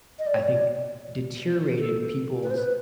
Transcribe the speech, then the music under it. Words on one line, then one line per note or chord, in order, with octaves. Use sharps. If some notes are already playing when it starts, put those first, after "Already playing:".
I think, deteriorated people's
D#5
D5
C#5
D5
A4
B4
C5
B4